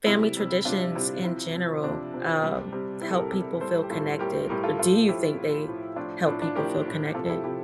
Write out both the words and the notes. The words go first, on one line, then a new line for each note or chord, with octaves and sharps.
family traditions in general, um, help people feel connected, or do you think they help people feel connected?
C3 G3 E4
C3 G3
C3 G3 D4 F4
C3 G3 E4
C3 F3 E4
C3 F3
C3 F3 D4
C3 F3
C3 G3
C3 G3
C3 G3 E4
A4
G4 A#4
C3 G3 G4 A#4
A2 G3 A4 C5
G4
A2 G3 F4 A4
A2 G3 G4 A#4
A2 G3 G4 A#4
F4 A4
A2 F3 F4 A4
A2 F3 E4 G4
A2 F3
A2 F3
A2 F3 D4 F4
A2 F3 D4
D4
A2 F3 G4 A#4
A2 F3
C3 F3 F4 A4
A4
E4 G4
C3 F3 E4 G4